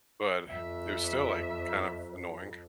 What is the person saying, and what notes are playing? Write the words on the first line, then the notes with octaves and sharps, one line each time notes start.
but it was still, like, kind of annoying.
F2 E5